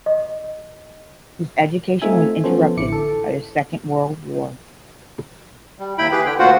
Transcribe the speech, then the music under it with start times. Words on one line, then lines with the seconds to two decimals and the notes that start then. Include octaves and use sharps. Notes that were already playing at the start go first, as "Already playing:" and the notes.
His education was interrupted by the Second World War.
0.06 D#5
2.02 A3 C4 D#4 F4 E5 G#5
2.44 F3 B3 C#4 A4 C5
2.77 A1 D3 E4 D6 C#7
2.92 A4
5.79 G3
5.98 D#2 E4 G5 B5
6.12 G4 G#4 B4
6.26 D3 G5
6.39 D2 A#2 F4 F#4 C5 F#5